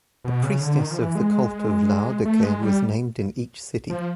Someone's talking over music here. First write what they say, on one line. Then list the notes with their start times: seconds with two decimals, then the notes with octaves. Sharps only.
A priestess of the cult of Laodice was named in each city.
0.24 B2
0.43 C#3
0.61 D3
0.79 D#3
0.91 F3
0.98 E3
1.15 G#3
2.25 A3
2.43 G#3
2.62 G3
3.90 F3